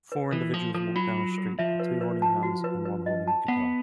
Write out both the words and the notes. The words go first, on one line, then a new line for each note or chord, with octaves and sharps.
Four individuals walk down a street, with two holding hands and one holding a guitar.
B4
E3 A4
F3 A4
F3 A4
F#3 F4
F4
A4
F3 E5
B4
B4
A5
F#4
B4
B4
D#5
A5
B3 F#5